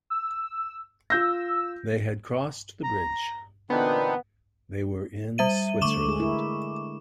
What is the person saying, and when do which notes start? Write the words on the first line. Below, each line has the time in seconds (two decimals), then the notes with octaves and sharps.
They had crossed the bridge; they were in Switzerland.
0.10 E6
1.10 F4 E6 G6 A#6
2.84 A#5
3.70 A#2 D3 E3 B3 C4 D4 D#4
5.38 G3 E5 D#7
5.81 D3 A3 C#6 D6 E7
6.06 G#3 G#4
6.20 E4 A#4